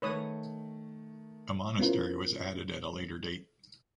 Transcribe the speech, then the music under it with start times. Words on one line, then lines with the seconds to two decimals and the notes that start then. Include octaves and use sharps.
A monastery was added at a later date.
0.02 D#3 A3 B4 C#5 D#6
1.79 B3 C#4 E4 F4 A#4 C5